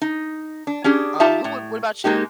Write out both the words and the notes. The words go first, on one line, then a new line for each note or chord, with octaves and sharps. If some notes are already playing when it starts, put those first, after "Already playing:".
Um, who would what about you?
D#4
D4
C#4 D4 G4 G#4
D#4 F4 G4 E5 A5
A2
G#3 A#3 D#4 G4